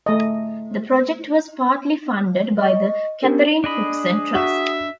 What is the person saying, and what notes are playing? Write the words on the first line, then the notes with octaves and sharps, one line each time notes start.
The project was partly funded by the Catherine Cookson Trust.
A3 D#5
D#5 C#6
B3 C#4 D4 G4 A#4
D4 G#4 D#5 B5
F#4 E5